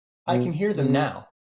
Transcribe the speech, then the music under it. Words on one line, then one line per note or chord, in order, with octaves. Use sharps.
I can hear them now.
B2
C#3